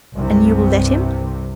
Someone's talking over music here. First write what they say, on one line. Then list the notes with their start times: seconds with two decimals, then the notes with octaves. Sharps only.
"And you will let him?"
0.16 C2 G2 C3